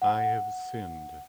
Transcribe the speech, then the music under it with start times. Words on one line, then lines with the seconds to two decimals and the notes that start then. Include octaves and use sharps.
I have sinned.
0.02 F#5